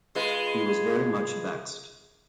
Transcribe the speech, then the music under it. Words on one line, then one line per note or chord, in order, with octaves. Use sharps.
He was very much vexed.
G#3 F4 B4